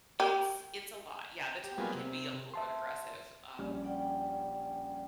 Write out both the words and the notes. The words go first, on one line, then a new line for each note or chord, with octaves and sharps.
It's it's a lot, yeah, the tone can be a little bit aggressive, um,
G4
G4
F#3 G3 A#3 B3 F4 G#4
C3
E5 A5 C6
A#1 G3 C#4 D5
D5 F#5 G5